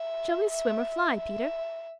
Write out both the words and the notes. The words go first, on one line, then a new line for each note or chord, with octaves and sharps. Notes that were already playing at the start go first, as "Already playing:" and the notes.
"Shall we swim or fly, Peter?"
Already playing: E5
E5
E5